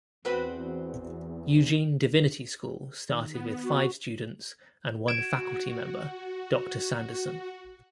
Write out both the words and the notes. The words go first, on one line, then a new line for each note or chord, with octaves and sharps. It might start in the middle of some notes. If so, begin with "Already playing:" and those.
Eugene Divinity School started with five students and one faculty member, Doctor Sanderson.
E2 C4 F#4 B4
D#3
B3
F#4
F#4 G#6 D7 E7